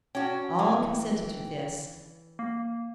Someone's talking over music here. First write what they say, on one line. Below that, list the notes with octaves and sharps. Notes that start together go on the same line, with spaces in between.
All consented to this.
C#4 F#4 G5
E3
A#3